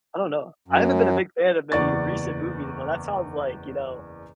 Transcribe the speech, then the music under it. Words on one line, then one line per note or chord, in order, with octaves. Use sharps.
I don't know. I haven't been a big fan of any recent movies, but that sounds like, you know,
F#2
F#1 E2 D5 C#6 A6